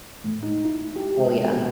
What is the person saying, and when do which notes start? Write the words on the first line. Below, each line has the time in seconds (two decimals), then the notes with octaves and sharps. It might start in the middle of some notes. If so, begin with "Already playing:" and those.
Oh yeah.
0.24 A2
0.43 D#4
0.64 E4
0.96 G4
1.14 G#3
1.50 B2